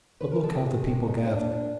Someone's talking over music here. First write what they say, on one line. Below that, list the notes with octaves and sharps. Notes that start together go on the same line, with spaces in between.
"But look how the people gather!"
B4
A#4
G#3 A4
G4
D#3 G#4
G#3 G4
A#2 D#4
C#4
A#2 D4
A#2 D4